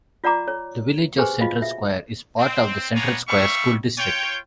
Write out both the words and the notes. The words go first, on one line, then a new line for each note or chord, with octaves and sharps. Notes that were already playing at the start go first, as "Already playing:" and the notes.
The village of Central Square is part of the Central Square School District.
F4 D5 F#5 A#5 D6
C#5
G4 G#4 B4 C5 G#5
F4 F#4 D#5 F5
E5
C4
B3 D4 C#5 F5 G#5 A#5
G3 E5 F5 C#6
F4 C#5 G5